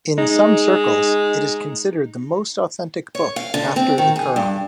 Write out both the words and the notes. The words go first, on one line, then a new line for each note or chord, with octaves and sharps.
In some circles, it is considered the most authentic book after the Quran.
G#3 D#4
C#5
F5
D3
C4
D#3
G#4
G2